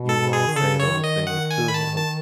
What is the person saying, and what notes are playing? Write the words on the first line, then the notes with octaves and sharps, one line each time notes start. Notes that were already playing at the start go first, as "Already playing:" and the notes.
you won't say those things to him,
Already playing: B2
A4
G#4
D#3
C#3 A4
C#5
E3
D#3
D#5
D#3 F#5
G#5
B5
A5
A5